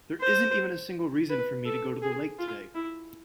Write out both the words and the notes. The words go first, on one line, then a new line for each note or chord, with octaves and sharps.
There isn't even a single reason for me to go to the lake today.
C5
B4
A4
G#4
F4
E4